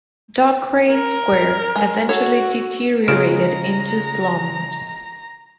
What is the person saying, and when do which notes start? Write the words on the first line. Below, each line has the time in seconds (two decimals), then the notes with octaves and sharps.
Dockwray Square eventually deteriorated into slums.
0.92 A#4
1.76 G#3
2.09 F#4 A4 C#5
3.08 C#3 G#3 F4 A#5 F6 D7 E7